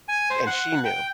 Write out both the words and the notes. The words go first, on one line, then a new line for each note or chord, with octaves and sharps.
and she knew.
G#5
C5
F#5
G5